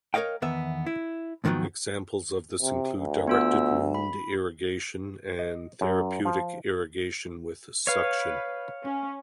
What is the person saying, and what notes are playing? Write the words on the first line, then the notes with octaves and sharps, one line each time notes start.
Examples of this include directed wound irrigation and therapeutic irrigation with suction.
A#4 C#5 D#5 F5 G5
E2 D#3 B3 E5
E4
D#2 G#2 D#3 F3 F#3 B3
C3
D2
B3 F4 E6
B5
D#5
F#2
F3
B4 C#5 F5
C#4